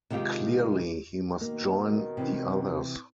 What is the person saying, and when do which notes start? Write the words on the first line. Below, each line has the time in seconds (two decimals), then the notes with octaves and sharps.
Clearly he must join the others.
0.10 C3 D#3 G#3 F4 G4
1.41 D#2 B2 D#3 A#3
2.17 C3 E3